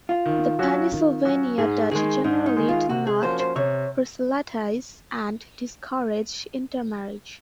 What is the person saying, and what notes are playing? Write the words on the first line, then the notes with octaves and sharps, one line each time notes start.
The Pennsylvania Dutch generally do not proselytize and discourage intermarriage.
F4
D#3
F#3 C#4 F#4
D#3
F#3 C#4 F#4
G#2 G#4
D#3 G#3 G#4
G#2 D#4
D#4
D#3 G#3
F4
C3 F#4
G#4
F3 A#3 C#4 F#4 C5
C5
C3 C#5